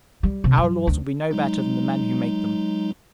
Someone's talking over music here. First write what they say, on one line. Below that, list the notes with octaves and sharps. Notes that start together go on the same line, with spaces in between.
Our laws will be no better than the men who make them.
G3
C3
F#2
D2
F#3 G#3 D#4